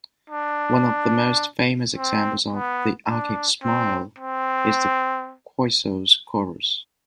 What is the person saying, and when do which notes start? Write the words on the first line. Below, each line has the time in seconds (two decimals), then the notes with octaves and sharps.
One of the most famous examples of the Archaic Smile is the Kroisos Kouros.
0.30 D4
1.96 C4
2.52 B3
3.08 D4
3.63 C4
4.18 C4